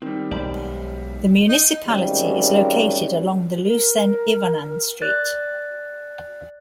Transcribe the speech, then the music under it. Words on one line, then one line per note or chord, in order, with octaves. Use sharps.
The municipality is located along the Lucens-Yvonand street.
D#3 G3 C4
B1 G#3 G4 C5 D5
D#4
G#1 D#3 G3 C#4
A#4
D5 F#6 A6